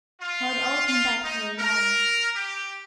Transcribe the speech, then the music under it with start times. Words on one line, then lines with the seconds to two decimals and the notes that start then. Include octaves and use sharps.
How it all came back to her now!
0.21 F4
0.86 F4
1.24 D#4
1.58 A#4
2.36 G4